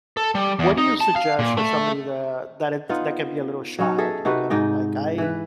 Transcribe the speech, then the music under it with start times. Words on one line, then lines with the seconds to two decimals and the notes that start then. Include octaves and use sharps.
What do you suggest for somebody that that if that can be a little shy at the beginning? Like, I
0.17 A4
0.35 G3
0.59 E2
0.78 D#4
1.01 A5
1.16 F5
1.39 A#2
1.57 A3
2.89 B3 D#4 F4
3.79 F#3 C#4 D#4
3.98 G#4 A4 D#5 E5
4.25 C3 D#4 F#4 B4
4.50 G#2 D#4 D#5 G5
5.18 E3 B4